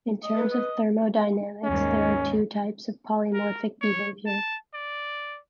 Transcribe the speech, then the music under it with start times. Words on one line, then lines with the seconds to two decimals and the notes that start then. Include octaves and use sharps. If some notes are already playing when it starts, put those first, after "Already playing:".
In terms of thermodynamics, there are two types of polymorphic behaviour.
0.23 D#5
0.36 B4
0.52 D#5
1.64 D#2 G#2 C#4
3.33 A#4
3.81 C#5
4.26 A5
4.74 D5